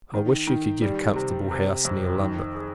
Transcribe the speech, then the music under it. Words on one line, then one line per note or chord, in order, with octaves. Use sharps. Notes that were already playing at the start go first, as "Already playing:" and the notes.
I wish you could get a comfortable house near London.
D#3
D#3
G3
C3
C3
F2
D#3
G#4